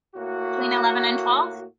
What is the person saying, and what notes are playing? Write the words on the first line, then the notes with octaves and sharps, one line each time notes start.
Between eleven and twelve?
A2 A#3 F#4